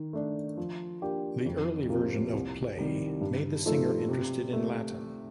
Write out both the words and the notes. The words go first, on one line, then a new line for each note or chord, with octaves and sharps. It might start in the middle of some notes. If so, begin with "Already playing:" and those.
The early version of "Play" made the singer interested in Latin.
Already playing: D#3
A3 D4
F3
A#3 D4 G4
F2
C3 F3 A#3 F4
C2
C3 D#3 G3
G2
F3 A3 D#4 A4
C3
A3